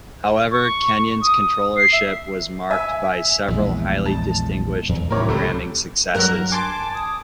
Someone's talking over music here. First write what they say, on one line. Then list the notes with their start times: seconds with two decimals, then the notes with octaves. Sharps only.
However, Kenyon's controllership was marked by several highly distinguished programming successes.
0.51 C#6
1.22 D#6
1.77 C7
1.92 E5
2.71 E5 G#5
3.48 A#1 E2 G#3
4.06 A5
4.89 E2
5.10 A2 C3 D#3 A#4 C#5 D6
5.29 C#2 A2 C3 G3 A3 C4
6.15 G2 F#3 A#4 F#6
6.52 G#5 A5 C6 D6 A6
6.94 D#6